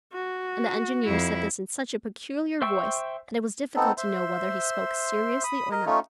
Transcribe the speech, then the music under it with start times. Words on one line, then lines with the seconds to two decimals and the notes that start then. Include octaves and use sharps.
And the engineer said this in such a peculiar voice that it was difficult to know whether he spoke seriously or not.
0.13 F#4
1.05 F2 E4
2.62 C5 E5 G5 C#6 E6
3.76 B3 C4 D#4 A4
3.98 C5 E5 C6
5.43 B5 D#6
5.72 A#4 D#5
5.86 A3 C#4 D#4 F4